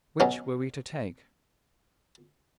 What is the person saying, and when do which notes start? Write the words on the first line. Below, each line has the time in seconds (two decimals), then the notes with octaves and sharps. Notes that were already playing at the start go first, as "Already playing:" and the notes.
Which were we to take?
0.20 B2 F#3 C#4